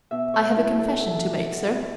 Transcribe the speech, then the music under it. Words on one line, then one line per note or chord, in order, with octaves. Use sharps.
I have a confession to make, sir.
B2 E5
C#5
F#3
E4
F#3
A4
F#3 A4
A4
F#4
F#3
A4
F#3
F#4